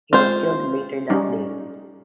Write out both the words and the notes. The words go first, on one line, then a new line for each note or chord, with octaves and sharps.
He was killed later that day.
G#3 C4 F4 C5
G3 C#4 D#4